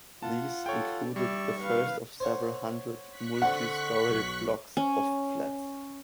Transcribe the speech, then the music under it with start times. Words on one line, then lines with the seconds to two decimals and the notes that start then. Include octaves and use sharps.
These included the first of several hundred multi-storey blocks of flats.
0.23 F4 F#5 A5
0.66 A4 C#5 G5
1.16 G3 D5 E5 C#6
1.60 B4 F5
2.20 C5 C#5 F#5
3.08 C#6 F#6 B6
3.42 D3 C4 F#5
4.09 B1
4.77 C#4